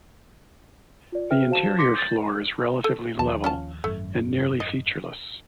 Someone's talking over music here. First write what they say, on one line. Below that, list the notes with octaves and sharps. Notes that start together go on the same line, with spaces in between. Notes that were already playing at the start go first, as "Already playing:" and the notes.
The interior floor is relatively level and nearly featureless.
F4 D5
G#4 B4 C5 E5 G5 F6
F#4 C5 F5 A5 E7
C6 D6 A#6 B6 C#7
G6 A6
A4
D#2 F3 A5
C#4 F4 A5
G#1 F#2 A3
D#5